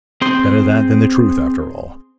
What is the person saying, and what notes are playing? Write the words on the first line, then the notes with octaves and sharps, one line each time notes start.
Better that than the truth, after all.'
C4 G#4 C5 C6